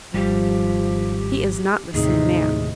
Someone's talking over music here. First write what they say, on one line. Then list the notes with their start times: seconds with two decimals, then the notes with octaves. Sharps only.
He is not the same man.
0.14 G#1 F3 G3 G4
1.94 D#2 A2 C3 D#4 G#4